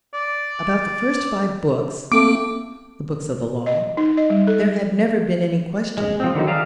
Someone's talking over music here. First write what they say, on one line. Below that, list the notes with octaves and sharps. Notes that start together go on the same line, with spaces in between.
About the first five Books--the Books of the Law--there had never been any question.
D5
A3 A#3 C4 D6
D#5
D#4
D#5
G3
A4
G3
G#3
F3 C4
D3 D#3 F#3 D#4
G#4 D5 E5 F5 A#5